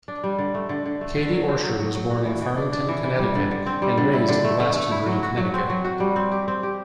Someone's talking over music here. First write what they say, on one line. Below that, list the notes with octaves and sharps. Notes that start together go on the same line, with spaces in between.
Katie Orscher was born in Farmington, Connecticut and raised in Glastonbury, Connecticut.
D4
G3
D3
A3
D3
D3
A3
D3
F#3
C4
F#3
F#3
F#3
F#4
E3
E3
D4
D4
E3
E3
G3
D3
D3
C4
G3
D3
E4
D3
A3
A3
A3
E4
F#3
F#4
F#3
C4
F#3
F#4
G3
C4
G4
C4
G4